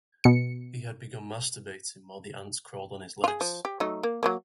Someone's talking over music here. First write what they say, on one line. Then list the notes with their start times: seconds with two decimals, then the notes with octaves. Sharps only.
He had begun masturbating while the ants crawled on his legs.
0.24 B2 C#7
3.24 F4 G#4
3.41 F3
3.65 G4
3.80 F#3 A3 D#4
4.03 A#3
4.23 F#3 A3 A#3